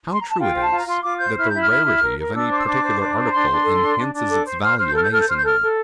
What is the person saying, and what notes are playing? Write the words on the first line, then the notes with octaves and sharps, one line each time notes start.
How true it is, that the rarity of any particular article enhances its value amazingly.
C6
A#5
A5
F4 G5
C5 G5
A5
F4
A#5
F4 C6
F4 D6
C5 G6
E4 F6
E4 G6
F6
E4
E4
A#4
A#4
D4 E6
C5 D6
E6
D4 D6
C5
D4
C5
A#5
D4 C6
D4
A4
D4
D4
D4
A4 D6
C5
C5 F6
C5 F6
G6
A4 F6
G6
A4 F6
G6
C5 F6
G6
A4 F6
A4